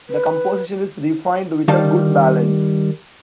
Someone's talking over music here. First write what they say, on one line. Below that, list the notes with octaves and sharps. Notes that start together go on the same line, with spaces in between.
The composition is refined with a good balance.
B4
D#3 G3 F5 A5